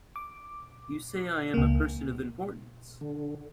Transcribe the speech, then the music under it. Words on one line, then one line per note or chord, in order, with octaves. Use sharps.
You say I am a person of importance.
D6
C#2 A#3
D3